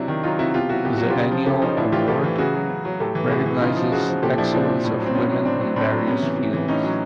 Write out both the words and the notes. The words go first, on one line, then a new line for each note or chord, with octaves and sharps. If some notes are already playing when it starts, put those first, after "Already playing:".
The annual award recognizes excellence of women in various fields.
Already playing: C3 F#3 D4 E4
D#3
F#3 D#4 F4
C3 E4 F#4
B2 F4 G4
F#3 E4 F#4
B2 G4
F#3 F#4
F4 G4
C#3
F3
C#3 G4 A4
F3 C#4 D#4
A2 D4 E4
E3 F4 G4
A2 G4 A4
E3
C#3 F#4 G#4
F#3
C#3
F#3
A2 G4 A4
E3
A2 F#4 G#4
E3
C#3 D#4 F4
F3
C#3 F#4 G#4
F3
A#2 G4 A4
F3 D4 E4
A#2 C4 D4
F3
A2
F#3
C4
A2 B3 C#4
F#3
A2 C4 D4
F#3
A2 C4 D4
F#3
C3 B3 C#4
E3
C3
E3
A2 C#4 D#4
F#3